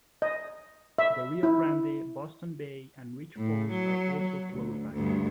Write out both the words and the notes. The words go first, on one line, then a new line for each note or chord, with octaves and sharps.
The Rio Grande, Boston Bay and Reach Falls are also close by.
D#5
E5
E4
A2
F#3
F#3
D2
D2 G2